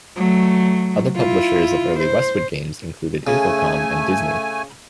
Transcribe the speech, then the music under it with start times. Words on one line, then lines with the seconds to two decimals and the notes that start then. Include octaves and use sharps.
Other publishers of early Westwood games included Infocom and Disney.
0.16 F#3 A3
1.16 E4 F4
2.00 C5
3.27 C#3 A3 G#5